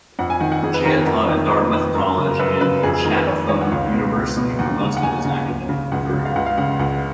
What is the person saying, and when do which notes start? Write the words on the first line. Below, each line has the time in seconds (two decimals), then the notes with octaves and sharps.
Chan taught at Dartmouth College and Chatham University for most of his academic career.
0.19 F2 F#5
0.30 G#5
0.40 D#3 F#5
0.52 F#5
0.63 F2 G#4
0.74 B4
0.85 D#3 A#4
0.98 B4
1.07 F2 A#4
1.28 D#3
1.50 F2 B4
1.72 D#3 B4
1.94 F#2 A#4
2.18 C#3
2.31 A#4
2.39 F#2 B4
2.55 A#4
2.61 C#3 B4
2.83 F2 G#4
2.93 G#4
3.05 D#3 A#4
3.17 B4
3.27 F2 C#5
3.49 D#3 C#5
3.61 F#5
3.71 C#2 F5
3.93 B2
4.16 C#2
4.37 B2
4.59 D#2 F#5
4.81 C#3
4.97 F#5
5.03 D#2 G#5
5.25 C#3
5.48 C#2
5.69 C#3
5.92 C#2 F#5
6.13 C#3
6.25 F5
6.36 C#2 F#5
6.46 F5
6.58 C#3 F#5
6.79 C#2 F#5